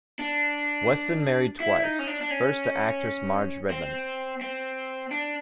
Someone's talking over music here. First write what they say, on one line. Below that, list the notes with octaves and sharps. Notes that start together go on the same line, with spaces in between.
Weston married twice, first to actress Marge Redmond.
D4
E4
D#4
C#4
D4
D4
C#4
C4
C4
D4